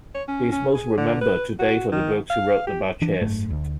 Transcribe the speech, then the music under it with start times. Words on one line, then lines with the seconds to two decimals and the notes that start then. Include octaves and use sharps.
He is most remembered today for the books he wrote about chess.
0.14 C#5
0.28 C#4
0.52 C#4
0.75 G#4
0.97 D3
1.21 B4
1.59 F#4
1.92 D#3
2.30 F5
2.67 G4
3.02 E3 D4
3.21 F#1 G#2 A3
3.50 D2